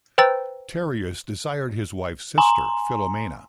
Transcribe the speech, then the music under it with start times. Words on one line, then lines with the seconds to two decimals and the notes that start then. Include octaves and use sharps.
Tereus desired his wife's sister, Philomela.
0.18 B4 C5 G5 A#5 E6 A6
2.38 G#5 A#5 C6